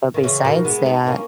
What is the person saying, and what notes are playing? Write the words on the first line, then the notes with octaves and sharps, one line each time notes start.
but besides that,
D#3
C#3 E3
B2 D#3
G#3 B3
B3 D#4
A#3 C#4